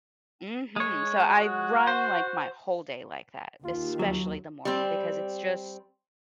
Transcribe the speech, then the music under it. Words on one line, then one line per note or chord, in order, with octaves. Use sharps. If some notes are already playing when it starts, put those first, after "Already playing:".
Mhm, so, I run, like, my whole day like that, especially the morning because it's just
G#3 C#5
F#4
C5
D#2 F4
F#3
G3 C4